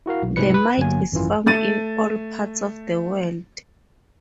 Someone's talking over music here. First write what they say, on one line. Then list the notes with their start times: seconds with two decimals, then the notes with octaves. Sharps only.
The mite is found in all parts of the world.
0.06 E4 F#4 A#4 F5
0.22 B1
0.36 C2 G#2 C3 F#3 B4 C#7
0.54 B4
0.78 G1 F#3 A#3 G#5
1.12 G#1 F#2 E3 F4
1.46 A3 A6 D#7